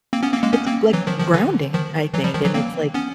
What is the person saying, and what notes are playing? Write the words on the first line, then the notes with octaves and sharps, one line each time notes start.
It's, like, grounding, I think, and it's like,
A#3 C4
B3 C#4
A#3 C4
G#3 A#3
B3 C#4
A#3 C4
E3 F#3
D#3 F3
D#3 F3
D3 E3
D#3 F3
E3 F#3
F3 G3
D#3 F3
E3 F#3
A#3 C4
B3 C#4